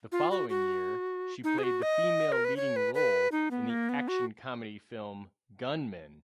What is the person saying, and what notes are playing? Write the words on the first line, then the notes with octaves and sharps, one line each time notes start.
The following year, she played the female leading role in the action-comedy film, "Gunmen".
F4
F#4
F#4
D#4
G#4
F#4
D#5
A#4
B4
C#5
B4
B4
D#4
B3
A#3
B3
F#4